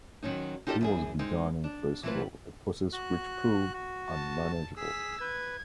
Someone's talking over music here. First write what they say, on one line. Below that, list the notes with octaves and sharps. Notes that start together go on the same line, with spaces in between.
It was begun in fresco, a process which proved unmanageable.
D#3 F#3 C4 C#4 D#4
D#4 F4 G4 A4 D5 D#5
F#2 E3 G#4
G#3 C4 D#4
D4
E3 F#3 A3 C4 F4 B4
F#4 F#6
F#4
A5
G#4 E6 B6
B4 G#6